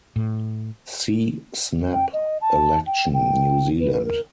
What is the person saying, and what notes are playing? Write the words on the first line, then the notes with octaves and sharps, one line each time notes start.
See Snap election, New Zealand.
A2
G5
D#5
A5
G5
G5
B4
A#4